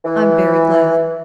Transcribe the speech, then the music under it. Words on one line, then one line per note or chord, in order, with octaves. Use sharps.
"I'm very glad."
E3